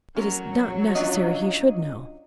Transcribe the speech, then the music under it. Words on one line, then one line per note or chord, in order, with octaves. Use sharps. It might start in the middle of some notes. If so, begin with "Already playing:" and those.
It is not necessary he should know.
F#3 C#4 A#4
C#4 D4 F4 D#5